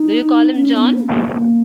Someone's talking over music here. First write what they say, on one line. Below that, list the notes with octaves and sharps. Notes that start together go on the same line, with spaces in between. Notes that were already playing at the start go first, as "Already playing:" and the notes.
Do you call him 'John'?
Already playing: D#4
C#4
B3
A#3
A#3